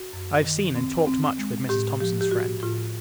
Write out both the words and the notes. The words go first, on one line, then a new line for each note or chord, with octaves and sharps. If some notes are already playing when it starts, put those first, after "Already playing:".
I have seen, and talked much with, Mrs. Thomson's friend.
Already playing: F#4
F#2
D#3
C4
C4
G#3
A2 G4
F3 G4
G4
A2 F#4
A2 F4